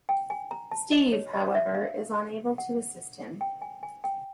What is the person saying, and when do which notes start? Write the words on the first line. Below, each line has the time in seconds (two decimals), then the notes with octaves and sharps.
Steve, however, is unable to assist him.
0.09 G5
0.30 G#5
0.51 A#5
0.71 A5
0.92 D#5
1.12 C#5
1.33 D#5
1.55 E5
1.75 F5
2.58 F#5
3.41 G5
3.62 G#5
3.83 G#5
4.04 G5